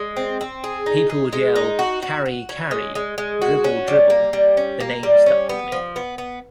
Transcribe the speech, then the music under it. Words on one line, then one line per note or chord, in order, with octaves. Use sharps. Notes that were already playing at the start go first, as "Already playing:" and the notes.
People would yell 'Kari, Kari' - dribble, dribble - the name stuck with me.
Already playing: G#3
C4
C4
G#4
D#4
G#4
G#3
D#4
F#4
F#4
F#4
C#4
G#3
G#3
G#3
F#4
C#4
G3
A#3
G3
C#4
A#3
G3
C#4
B3
F3
B3
B3